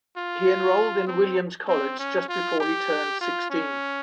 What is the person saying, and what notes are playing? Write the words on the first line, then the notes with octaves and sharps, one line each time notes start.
He enrolled in Williams College just before he turned sixteen.
F4
C4
C4
C#4
F4
G4
F4
C#4